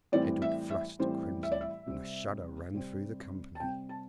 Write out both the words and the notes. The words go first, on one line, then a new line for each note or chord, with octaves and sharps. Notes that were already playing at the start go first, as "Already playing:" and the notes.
Edred flushed crimson, and a shudder ran through the company.
A2 E3 G3 C4 D5
E5
E5
A2 E3 G3 C4 C5
E5
D5
E5
C3 G3 C4
C3 G3 C4
A5
C3 G3 C4 G5
A5